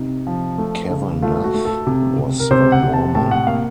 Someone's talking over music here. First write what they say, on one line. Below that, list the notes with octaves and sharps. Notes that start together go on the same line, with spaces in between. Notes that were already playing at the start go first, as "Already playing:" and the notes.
Cavanaugh was a Mormon.
Already playing: C3 D#4
F3
A3
C#3
A3 F4
F#4
A3
A4
C3
C3
A#4
C3 C5
F#5
C3
A5
A2 A5
F#5
A#3 F5